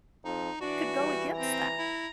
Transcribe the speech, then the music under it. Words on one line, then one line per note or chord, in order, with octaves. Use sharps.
could go against that?
F2 D#4
E3 D4 F#4
G3
C4 A#5
E4